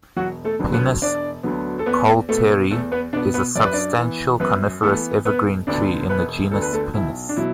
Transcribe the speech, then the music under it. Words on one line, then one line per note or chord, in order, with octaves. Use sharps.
"Pinus coulteri" is a substantial coniferous evergreen tree in the genus "Pinus".
E1 F#3 F#4
A3 A4
D2 D3 F#3 B3
B3 B4
E1 D4 D5
D2 D3 F#3 B3
A4
E2 B3 B4
B2 A3 B3 A4
E2 A3 A4
B3 B4
B2 B3 D4 D5
B3 B4
F#2 D5
B4
D4 D5
E3 B3
F#2 B3 B4
E3 A3 B3 A4
E1 B3 B4
D2 D3 B3 D4 D5
E1 B3 B4
D2 D3 B3 A4
B4
A3 A4
B1 E4
D4
B2 F#3 E4